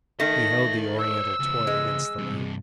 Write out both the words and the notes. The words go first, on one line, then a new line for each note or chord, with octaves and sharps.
He held the oriental toy against the light.
D#3 A3 C#5 D#5 A#6
C5 C#5 E6
C#3 B3
G#3
G2 C3